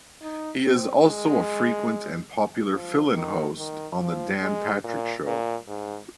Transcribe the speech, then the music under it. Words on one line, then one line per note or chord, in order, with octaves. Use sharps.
He is also a frequent and popular fill-in host on the Dan Patrick Show.
D#4
C4
G#3
F3
D#3
D#3
F3
G#3
A#2
A#2
G#2